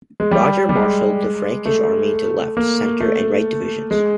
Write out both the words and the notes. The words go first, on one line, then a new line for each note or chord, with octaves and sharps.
Roger marshalled the Frankish army into left, center and right divisions.
G#3
G3
G3
G#3
A3
A#3
A3
G#3